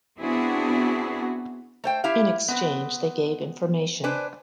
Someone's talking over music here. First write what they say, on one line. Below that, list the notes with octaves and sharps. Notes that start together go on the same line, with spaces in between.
In exchange they gave information.
B3 C4 D4 E4 F#4 G#4
A3 C5 G5
E4 G4 E5 F5
B3 C4 B4
D4 B4 C5 G#5